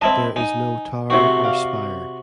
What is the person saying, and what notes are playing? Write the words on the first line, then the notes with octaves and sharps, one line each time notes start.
There is no tower or spire.
G2 C4 E4 D#5 A5
D#4 G#5
A2 C3 C4 E4 F#4
D5 F5